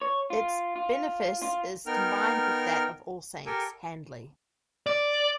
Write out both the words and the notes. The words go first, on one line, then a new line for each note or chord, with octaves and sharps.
Its benefice is combined with that of All Saints, Handley.
C#5
F4
F4
F4
B3 D#4 A#4 G5 F6
G4 A4 A#4 G5 G#5
D5